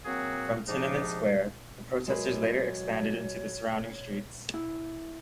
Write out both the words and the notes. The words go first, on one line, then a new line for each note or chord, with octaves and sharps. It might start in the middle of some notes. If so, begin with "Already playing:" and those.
From Tiananmen Square, the protesters later expanded into the surrounding streets.
F#3 A#3 C4 F#4 G#4
G#2 C3 F3 D4 D#4
F#3 G#3 A#4 B4 C#5
E4